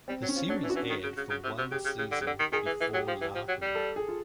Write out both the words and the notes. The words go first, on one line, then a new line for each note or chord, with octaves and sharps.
The series aired for one season before Yahoo!
G3 C4
F#3
C#4
F3
F#3 D4
E3
F#4
E3
D#3
C#3
C#3
C#3
C3
C3
C#3 G4
C#3
C#3
D3
C#3
D3
D#3
D#3 G#4
E3
E3
F#3 G4
F3
E3
F3
F#3
G3
A4
G#4
F4